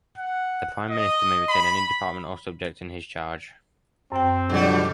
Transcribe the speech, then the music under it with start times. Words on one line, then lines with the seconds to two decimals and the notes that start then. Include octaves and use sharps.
The Prime Minister may retain any department or subject in his charge.
0.18 F#5
0.91 D#5
1.49 B5
4.12 F#2 C4 G5
4.49 C#2 B2 D3 F#3 G3